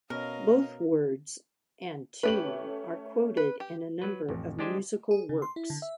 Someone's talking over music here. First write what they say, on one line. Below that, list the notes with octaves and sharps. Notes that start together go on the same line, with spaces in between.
Both words and tune are quoted in a number of musical works.
B2 C#4 A#4 D#5 F5
A3 C#4 G4 B4 F#7
B4
G4
F#3 B4
A1 F2
G#3 D4 G4 C5 D#5 G#5
G#4
C#3
C6
E4
D3
E5